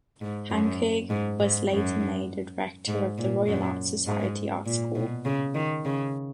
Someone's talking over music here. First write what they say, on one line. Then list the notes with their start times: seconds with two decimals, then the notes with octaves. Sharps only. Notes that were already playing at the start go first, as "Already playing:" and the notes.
Hanke was later made a director of the Royal Art Society art school.
0.21 G#2
0.50 F#2
1.10 G#2
1.40 G#2
1.70 F#2
2.88 G#2
3.18 A#2
3.47 F#2
4.06 G#2
4.66 A#2
4.95 B2
5.25 C#3
5.55 D#3
5.85 C#3